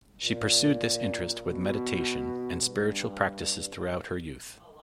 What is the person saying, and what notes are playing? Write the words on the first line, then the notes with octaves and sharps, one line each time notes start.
She pursued this interest with meditation and spiritual practices throughout her youth.
A#2
B2
G2